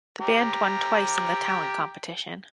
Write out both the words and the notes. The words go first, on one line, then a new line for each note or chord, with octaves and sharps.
The band won twice in the talent competition.
G4 A#5